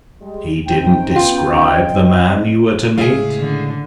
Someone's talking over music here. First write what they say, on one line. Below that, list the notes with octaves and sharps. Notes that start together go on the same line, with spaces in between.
"He didn't describe the man you were to meet?"
G3 G#3
D#3 A3 C4 C#4 G5
B3 F4
F2 C4 D#5
A2 C#3 G#3 G#4 E5 F5
D3